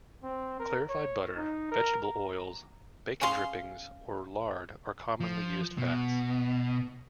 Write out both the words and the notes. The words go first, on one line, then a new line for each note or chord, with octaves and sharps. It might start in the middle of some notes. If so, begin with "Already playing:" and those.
Clarified butter, vegetable oils, bacon drippings or lard are commonly used fats.
C4
A#4
C#5
D#4
A#4
A#5
C#4 G#4 F5 C6
F3
B2